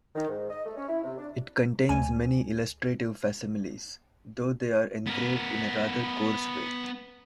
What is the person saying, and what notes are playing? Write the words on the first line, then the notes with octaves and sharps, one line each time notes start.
It contains many illustrative facsimiles, though they are engraved in a rather coarse way.
D#3
G#2
D#5
A3
C#4
E4
C3
D4
D2 G#5
B3 A#4